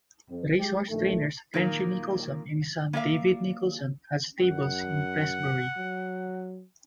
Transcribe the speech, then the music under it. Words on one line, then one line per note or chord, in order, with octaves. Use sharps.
Racehorse trainers Frenchy Nicholson and his son David Nicholson had stables in Prestbury.
F2
G#3 G4
A#1 D#3 A3
A#2 D#3 A#3
A#3 D5 E5 F5
F#2 F#5
F#3